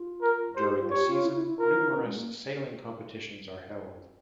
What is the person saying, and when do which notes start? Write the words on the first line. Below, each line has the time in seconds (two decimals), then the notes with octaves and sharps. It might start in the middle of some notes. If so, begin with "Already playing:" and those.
During the season numerous sailing competitions are held.
Already playing: F4
0.22 A#4
0.56 G4 C5
0.73 G4
0.82 F4
0.90 G4 C#5
1.08 F4
1.25 E4
1.36 E4
1.47 E4
1.59 F4 A#4
1.71 F4
1.76 E4
1.93 C#4
2.05 G#3
2.16 A#3